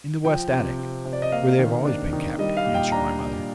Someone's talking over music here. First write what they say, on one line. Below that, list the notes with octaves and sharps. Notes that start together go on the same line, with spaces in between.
"In the west attic, where they have always been kept," answered my mother.
F3 G5
C3
C4
C3
D5
D#5
A#3 F5
D#3
D4
D#3
G3 D#5
F5
A#2
G5
D4 A#5
A#2